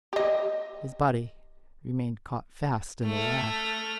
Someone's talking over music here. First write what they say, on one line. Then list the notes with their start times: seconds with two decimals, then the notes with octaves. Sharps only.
His body remained caught fast in the wax.
0.13 G4 D#5
3.05 A3 F6